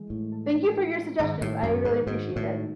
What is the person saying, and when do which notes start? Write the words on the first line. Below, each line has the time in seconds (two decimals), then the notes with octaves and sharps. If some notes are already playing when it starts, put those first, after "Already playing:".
Thank you for your suggestions, I really appreciate it.
Already playing: E3 G#3
0.10 A2
0.32 A4
0.76 D#4
1.20 G#2 D#3
1.41 A2
1.63 F#2 G#3
1.85 G#2
2.07 G#2 F#4
2.36 A2
2.50 D#4